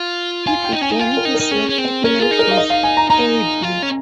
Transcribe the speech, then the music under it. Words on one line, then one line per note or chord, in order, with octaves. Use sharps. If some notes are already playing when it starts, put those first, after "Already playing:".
He began his work at Melrose Abbey.
Already playing: F4
F4 G#5
G5
D#4
C#4 G#5
D#4
F4 G#5
A#4
D#4
A#4
D#4
C#4 G#4
C#4
C4
C#4 A#4
F4 G#4
D#4
A#4
F5
D#5
F5
G#5
A#5
D#4 A#5
F4
C#4